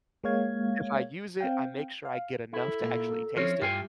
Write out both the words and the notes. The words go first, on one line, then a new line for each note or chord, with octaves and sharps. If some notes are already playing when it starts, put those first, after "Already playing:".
If I use it, I make sure I get enough to actually taste it,
G#3 A#3 C#5 F5 G#6
C4 F5 G5
F5
E4 A4
A#2 A#3
F3 C4 C#4 E4 C#5
G2 G3 F4 G5 G#5